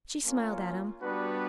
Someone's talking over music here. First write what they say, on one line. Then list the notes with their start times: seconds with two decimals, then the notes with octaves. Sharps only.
She smiled at him.
0.24 A#3 C#4 F4
1.01 G3 B3 D4 F#4 B4